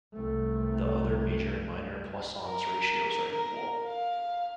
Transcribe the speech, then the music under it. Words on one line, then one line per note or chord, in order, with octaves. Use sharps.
The other major and minor Poisson's ratios are equal.
C2 A3
A#4
A#4
F5